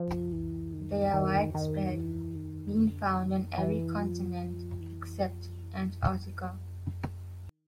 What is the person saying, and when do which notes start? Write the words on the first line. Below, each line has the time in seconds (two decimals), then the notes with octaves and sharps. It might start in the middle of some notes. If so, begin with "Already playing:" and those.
They are widespread, being found on every continent except Antarctica.
Already playing: F3
0.32 E3
0.73 D#3
1.13 D#3
1.54 D#3
1.95 E3
2.35 D#3
2.77 D3
3.17 D#3
3.58 E3
3.98 F3
4.80 E3
5.20 F3
5.62 E3
7.24 D#3